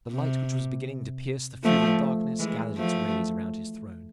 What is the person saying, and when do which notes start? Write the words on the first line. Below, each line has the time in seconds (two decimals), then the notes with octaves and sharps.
The light which was beginning to pierce the feudal darkness gathered its rays around his throne.
0.11 C3
1.63 F3 A3
2.39 E3 G#3
2.77 F3 A3